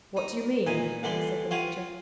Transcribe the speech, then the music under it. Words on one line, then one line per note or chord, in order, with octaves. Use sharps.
"What do you mean?" said the major.
D#4
A#2 E3 D#4 G#5
A2 D3 E3 G3 D4 C6
F4 G4 F5 F#5 G#5 C#6